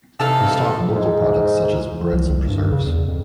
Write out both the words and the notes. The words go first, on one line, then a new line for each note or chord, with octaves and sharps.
They stock local products such as breads and preserves.
C3 E3 D#4 A4 F5 A5
G#2
C2
C2
G2
C#3
E2
F2